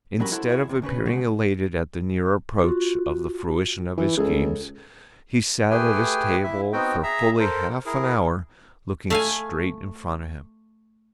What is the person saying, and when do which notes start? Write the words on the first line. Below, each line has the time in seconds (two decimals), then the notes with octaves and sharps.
Instead of appearing elated at the near approach of the fruition of his schemes, he sat at his table for fully half an hour looking straight in front of him.
0.20 B1 F#3 G3 C#4 A#4 B5
0.32 E4 F#4 A4 C5 F#5
0.50 E4 F#4 G#4
0.66 E2 C3
0.82 D2 C#3 C#4 B4
1.06 C#3 G#3 F#4
2.64 F4 F#4
3.98 E3
4.17 C#2 G#4 A4
5.70 A3 G4 G#4 B4 G5 G#5
6.43 E4 E5
6.73 B3 C4 D#4 F#4 G5
7.03 G#4 E5 A#5 E6
7.39 A4 A#4 C5
7.86 E4 G#4 A#4
9.10 A3 F5 G#5